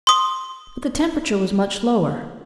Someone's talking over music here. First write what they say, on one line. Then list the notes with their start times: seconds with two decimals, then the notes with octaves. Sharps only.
But the temperature was much lower.
0.07 C6 D#6